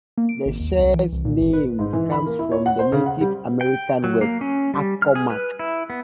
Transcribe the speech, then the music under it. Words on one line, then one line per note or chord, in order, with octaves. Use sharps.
The shire's name comes from the Native American word Accawmack.
A#3
D7
G#1
D#2
C2
E3
C2
A#2
G#1
B4
G#2
E3
B5
A#3
E4
C#5
F#5
C5
C#3
F#5
G3
G5
F#3
A#3
C#4
G3
F6
G#4
B4
E4
B3